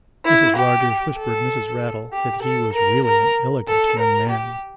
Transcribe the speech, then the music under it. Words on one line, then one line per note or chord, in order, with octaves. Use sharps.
Mrs. Rogers whispered Mrs. Raddle that he was really an elegant young man.
E4
G4
A4
G4
A4
A#4
A#4
A4
A#4
G4